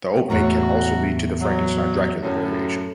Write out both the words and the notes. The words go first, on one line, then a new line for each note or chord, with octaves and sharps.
The opening can also lead to the Frankenstein-Dracula Variation.
E2 A2 F#4 C#5 A#5
F#3
F#2 A2